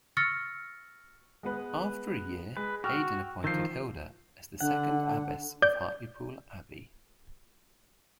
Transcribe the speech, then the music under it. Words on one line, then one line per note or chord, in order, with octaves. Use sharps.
After a year Aidan appointed Hilda as the second Abbess of Hartlepool Abbey.
C#6 E6 F6 A6 A#6 C#7
G#3 B3 B4
G#3 B4
F#4 G5 E6 F6
D#3 F3 E6 G6 C7
D3 F#5
D5 G6